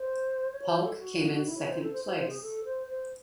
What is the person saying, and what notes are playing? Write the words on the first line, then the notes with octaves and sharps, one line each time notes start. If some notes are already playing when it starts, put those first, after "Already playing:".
Paulk came in second place.
Already playing: C5
C#5
C5
A4
F#4
E4
C#5
C5
A4
C5
C5
C5
G#4
A4
C5
C5